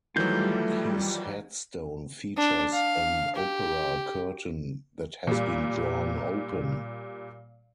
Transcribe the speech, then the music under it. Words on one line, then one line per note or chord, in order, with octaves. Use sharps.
His headstone features an opera curtain that has been drawn open.
D#3 E3 F#3 G3 A3 F4 G6
D4
F5
G4
A#2 G3